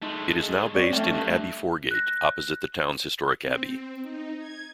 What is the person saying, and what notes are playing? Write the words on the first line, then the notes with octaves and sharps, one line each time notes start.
It is now based in Abbey Foregate, opposite the town's historic Abbey.
G#3 A3 D#4
C4 C#5 D5
F2 A3 C#4 G5
G2
F#6 A#6
C4
D#4
G#6